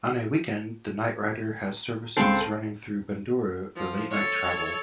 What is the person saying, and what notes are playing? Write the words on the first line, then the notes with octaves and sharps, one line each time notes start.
On a weekend the Nightrider has services running through Bundoora for late night travel.
C#2 C4 A4 A5 C7
F3
A4 C#5